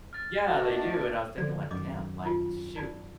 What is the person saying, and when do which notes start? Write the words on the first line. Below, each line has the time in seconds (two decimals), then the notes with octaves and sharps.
yeah, they do. And I was thinking like, "Damn," like, "Shoot,"
0.13 F6 A6
0.45 A3 D4 F#4 D#5
1.38 D3 F3 A4 D5
1.71 F#2 D#3 D#5 D6
2.23 D#4 F4
2.76 D#4 D5 B5